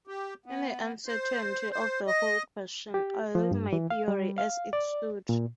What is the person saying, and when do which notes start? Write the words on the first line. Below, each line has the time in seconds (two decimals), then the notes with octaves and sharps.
In the uncertainty of the whole question I leave my theory as it stood.
0.07 G4
0.46 B3
1.06 C5
1.72 C5
2.07 D#5
2.94 G4
3.35 F3
3.51 G2
3.73 E3
3.90 F5
4.08 G3
4.38 F5
4.73 D5
5.29 A#2